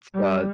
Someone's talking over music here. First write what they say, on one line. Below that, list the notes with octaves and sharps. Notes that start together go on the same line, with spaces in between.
It's, uh,
G3